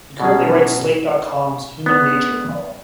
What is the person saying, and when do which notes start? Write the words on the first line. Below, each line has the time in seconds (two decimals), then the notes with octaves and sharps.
He currently writes Slate dot com's "Human Nature" column.
0.20 B2 F#3 C#4 G#4
1.86 B3 D4 G#4